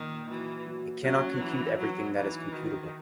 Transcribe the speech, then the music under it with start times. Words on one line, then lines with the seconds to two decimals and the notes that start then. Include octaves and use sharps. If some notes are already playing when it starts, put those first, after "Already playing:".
It cannot compute everything that is computable.
Already playing: A#2 D#3
0.29 E3 F#3
0.67 F#3
1.04 F#3 C#4
1.41 E3 F#4
1.78 F#3 F#4
2.16 E3 D#4
2.53 D#3 F#4